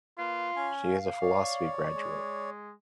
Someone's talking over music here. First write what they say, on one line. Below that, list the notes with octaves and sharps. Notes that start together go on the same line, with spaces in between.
She is a philosophy graduate.
A#3 F4 B4
C#4 G#5
F5
C#5 D5
G#3